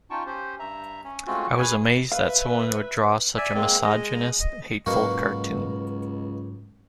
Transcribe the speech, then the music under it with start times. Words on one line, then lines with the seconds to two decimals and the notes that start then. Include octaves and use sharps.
I was amazed that someone would draw such a misogynist, hateful cartoon.
0.10 C#4 D#4 F4 G5 A5 C#6
0.26 C#4 G4 C5
0.59 G2 E5 A#5
1.04 C#4
1.27 G#3 A3 C4 C#4 F4 F#4
1.58 G#4 B4 C#5 G#5 B5
2.12 B4 E5 F5
3.37 D5 E5 G#5
3.54 G#3 A#3 C4
3.84 G#3 D#5
4.40 D#5
4.86 C#2 G#2 B2 F#3 A#3 F#4